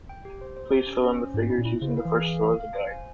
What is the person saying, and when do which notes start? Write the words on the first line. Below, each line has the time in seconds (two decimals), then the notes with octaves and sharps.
Please fill in the figures, using the first row as a guide.
0.09 G5
0.25 G4
0.41 C5
0.56 C5
0.72 G4
0.87 C#4
1.04 C#4
1.18 C5
1.34 G#2 C#4
1.50 E4
1.58 A#2
1.65 E4
1.81 C#3 C5
1.97 F5
2.05 E3
2.13 G#4
2.29 F5
2.43 F5
2.60 F5
2.75 C5
2.90 G#5